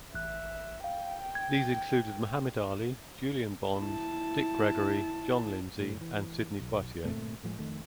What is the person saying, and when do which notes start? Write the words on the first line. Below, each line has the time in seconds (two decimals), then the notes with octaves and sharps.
These included Muhammad Ali, Julian Bond, Dick Gregory, John Lindsay and Sidney Poitier.
0.15 A1 E5 F#6
0.84 F5 G5
1.35 G#6
3.78 E4 A5
5.80 F#1 A2
6.01 E3
6.60 B1
7.04 G1 A#2 A3 C4
7.43 A2 F3 F#3 G#3
7.59 F2 D#3 A3